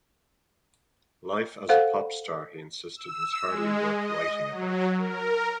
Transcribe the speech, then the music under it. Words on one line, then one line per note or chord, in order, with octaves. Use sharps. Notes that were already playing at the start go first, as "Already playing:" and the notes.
Life as a pop star, he insisted, was hardly worth writing about.
A4 C5 F5 F#5
E6
G#3
D#5
F#3
A#4